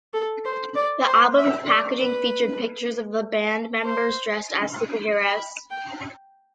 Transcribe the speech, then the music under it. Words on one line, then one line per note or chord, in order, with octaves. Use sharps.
The album's packaging featured pictures of the band members dressed as superheroes.
A4
C5
D5
C5
E5
D5
B4
C5
B5
G5